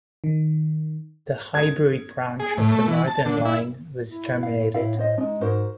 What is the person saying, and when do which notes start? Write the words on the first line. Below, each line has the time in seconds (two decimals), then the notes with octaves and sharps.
The Highbury Branch of the Northern line was terminated.
0.24 D#3
1.55 G#6
2.40 G#4
2.58 A2
2.72 A3
2.88 E3
3.07 A5
3.26 D3
3.45 E4
4.09 E4
4.43 F5
4.74 A2 E4 F5
4.99 C5 D#5
5.18 G#3 D4 D#4
5.41 G#2 F#4 A#4 C5